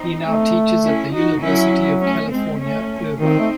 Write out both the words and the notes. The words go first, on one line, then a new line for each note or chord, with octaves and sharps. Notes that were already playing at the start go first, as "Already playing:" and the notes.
He now teaches at the University of California, Irvine.
Already playing: C4 D#4
A3
C#4 E4
D#4 F#4
F#3 C#4 E4
A3 C#4
G#3 C4
A3 C#4
D#3 C4 D#4
A3